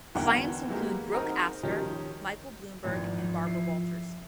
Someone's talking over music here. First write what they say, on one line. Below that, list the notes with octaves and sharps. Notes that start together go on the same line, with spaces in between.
Clients include Brooke Astor, Michael Bloomberg, and Barbara Walters.
E2 B2 D3 A#4 F#5 G5
E3 F#3 G#3 A#3 G4
C4 D#4 F#4 G#4 A#4
D#3 F3 C#4 D#4 G4
G#1 E2 F3
E4 C7